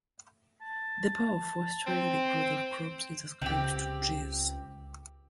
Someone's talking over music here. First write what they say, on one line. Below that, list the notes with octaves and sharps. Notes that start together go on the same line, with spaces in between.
The power of fostering the growth of crops is ascribed to trees.
A5
C4 G5
C#2 C#3 C4 G4